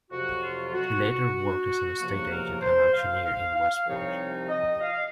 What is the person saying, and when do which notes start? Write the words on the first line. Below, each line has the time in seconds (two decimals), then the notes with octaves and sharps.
He later worked as an estate agent and auctioneer in Westport.
0.11 F2 C3 F#3 F#4
0.42 F4
0.67 F4
0.73 F#4
1.05 F#4
2.00 C#2 C3 F3 A#3 F#4
2.30 A#4
2.61 C5
2.93 F5
3.24 F5
3.55 F5
3.87 C2 C3 F3 C4 D#4 C#5
4.49 D#5
4.81 F5